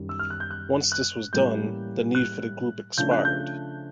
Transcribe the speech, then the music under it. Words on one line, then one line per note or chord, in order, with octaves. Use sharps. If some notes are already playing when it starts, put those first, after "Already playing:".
Once this was done, the need for the group expired.
Already playing: F#2 D#3 G3
E6
F6
F#6
G6
F#6
F#6
A2 E3 G3 A#3 C#4 G6
F#6
C#3 F3 A3 D4 G6
F#6
G6